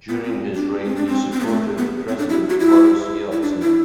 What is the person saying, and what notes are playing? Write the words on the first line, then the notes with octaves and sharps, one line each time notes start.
During his reign he supported President Boris Yeltsin.
B3
C4
D4
C4
D4
C4
C4
B3
A3
B3
C4
D4
E4
F#4
E4
E4
D4
E4